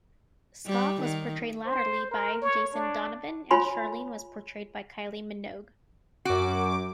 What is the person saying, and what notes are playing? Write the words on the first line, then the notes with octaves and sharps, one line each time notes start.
Scott was portrayed latterly by Jason Donovan, and Charlene was portrayed by Kylie Minogue.
G3
D#3
C5
A#4
C#5
D4
F4 C#5 G#5 B5 C6
F#2 F#4 D6